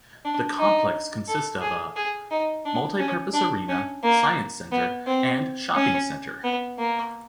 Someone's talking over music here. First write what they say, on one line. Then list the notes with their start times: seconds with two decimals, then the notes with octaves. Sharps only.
The complex consists of: a multipurpose arena, science centre and shopping centre.
0.25 D4
0.59 D#4
1.28 A4
1.61 G#4
1.96 G#4
2.31 D#4
2.65 D4
2.99 C#4
3.34 D4
3.69 C#4
4.03 A#3
4.72 B3
5.07 C4
5.75 C#4
6.44 B3
6.79 A#3